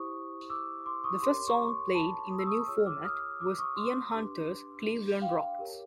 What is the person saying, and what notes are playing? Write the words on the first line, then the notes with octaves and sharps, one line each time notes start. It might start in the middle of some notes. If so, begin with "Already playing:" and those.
The first song played in the new format was Ian Hunter's "Cleveland Rocks".
Already playing: E4 G4 C5 C#6 D#6
D6 E6
C6 D6
C#6 D#6
G4 A#4 C#5 C6 D6
C#6
C6 D6
A5 B5
D#6
E6
C#6 D#6
F4 G#4 C#5 E6
F6
D6 E6
D#6 F6
D6 E6
C#6 D#6
C6 D6
D4 G4 B4
F5 G5
G4 A#4 C#5